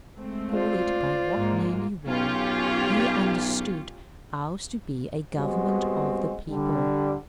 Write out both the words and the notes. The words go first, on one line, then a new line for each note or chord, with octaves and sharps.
Call it by what name you will, he understood ours to be a Government of the people.
G#3 A3 C4
F4 C5 D5
G#2 G#3 A#3
B1 C#4 F4 G4
G3 G#3 B3 C4 F#4
D3 G3